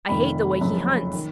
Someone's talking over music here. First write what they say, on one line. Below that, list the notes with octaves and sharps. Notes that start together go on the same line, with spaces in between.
I hate the way he hunts!
F1 F2 D#3 B5
F#1 F#2 F3
D#3